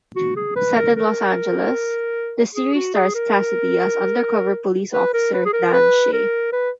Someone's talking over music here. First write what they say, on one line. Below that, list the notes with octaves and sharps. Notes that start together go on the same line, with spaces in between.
Set in Los Angeles, the series stars Cassidy as undercover police officer Dan Shay.
F#4
G#4
B4
A#4
A#4
G#4
F#4
G#4
A#4
B4
A#4
B4
G#4
A#4
B4
A#4
B4